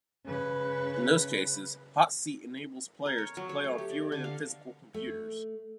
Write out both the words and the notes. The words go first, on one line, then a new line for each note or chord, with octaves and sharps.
In those cases, hotseat enables players to play on fewer than physical computers.
C#3 B4
A#4
C#5
F#3
C#5
A3
G4
D5
D3
F5
A3